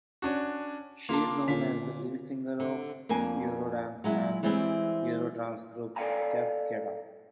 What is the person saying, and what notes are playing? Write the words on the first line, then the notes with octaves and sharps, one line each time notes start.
She is known as the lead singer of Eurodance and Eurotrance group Cascada.
C#4 D4 F#4
A#3 D4 F4
A#2 D3 C#4 B6
D3
F2 A#3 D4 G#5
F#3 G#3 E4
E3 G3 G#3 C4 E4
A4 D5 F5 G5 G#5 A#5